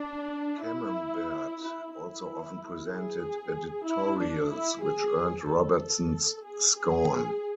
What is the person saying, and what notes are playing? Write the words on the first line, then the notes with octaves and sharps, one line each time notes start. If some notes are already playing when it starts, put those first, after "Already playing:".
Camembert also often presented editorials, which earned Robertson's scorn.
Already playing: D4
E4
E4
E4
G#4
E4
D4
E4
G#4
A4
G#4
G#4